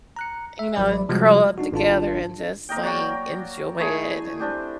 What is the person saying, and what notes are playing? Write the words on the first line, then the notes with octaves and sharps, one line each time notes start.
you know, and curl up together and just, like, enjoy it and
A#5 F#6 C#7
E5
A1 F#3 D5 B5
C3 F3 G3 G#3 F#4
D4 D#4 F#4
G#1 D4 F4 A5
A#3 A#4 D#5 G5
F#3 F#4 D5 G5
A3 E4 G#4 G#5
C4 D4 G4